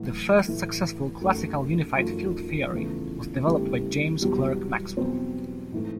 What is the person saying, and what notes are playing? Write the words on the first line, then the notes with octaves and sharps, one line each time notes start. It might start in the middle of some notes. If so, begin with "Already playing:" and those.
The first successful classical unified field theory was developed by James Clerk Maxwell.
Already playing: A2 E3 F#3 A3 F#4
A2 E3 A3
F#2 D#3 F#3 A3
F#2 D#3 F3 F#3 A3 F4
E2 C#3 E3 A3
E2 C#3 E3 G3 A3 G4
E2 B2 F#3 G3 G4
E2 B2 F#3 C4 C5
G#2 E3 A3